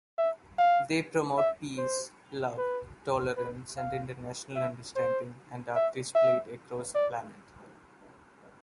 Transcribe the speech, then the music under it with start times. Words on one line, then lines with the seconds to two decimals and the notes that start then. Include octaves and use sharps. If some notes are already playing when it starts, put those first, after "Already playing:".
They promote peace, love, tolerance and international understanding and are displayed across the planet.
0.18 E5
0.58 F5
1.38 E5
1.77 C5
2.57 B4
3.37 B4
3.77 F5
4.56 E5
4.96 C5
5.76 E5
6.15 E5
6.95 D5